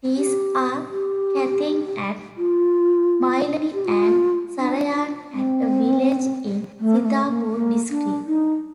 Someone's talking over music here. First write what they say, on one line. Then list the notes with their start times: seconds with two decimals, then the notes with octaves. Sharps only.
These are Kathina at Mailani and Sarayan at a village in Sitapur district.
0.17 G4
0.90 G4
2.37 F4
3.74 G4
3.86 F4
4.59 D4
5.32 C4
6.79 A3
6.96 A#3
7.05 A3
7.29 A#3
7.54 A#3
7.90 D4
8.27 D#4